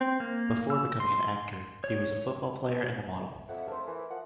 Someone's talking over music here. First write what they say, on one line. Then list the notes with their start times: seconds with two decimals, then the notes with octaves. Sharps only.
Before becoming an actor, he was a football player and a model.
0.01 C4
0.20 A#3
0.70 E6
1.00 C6
1.84 C#5
3.49 F2 E5 F#5
3.68 A4 A#4 C5
3.87 E3
4.11 F3 F#5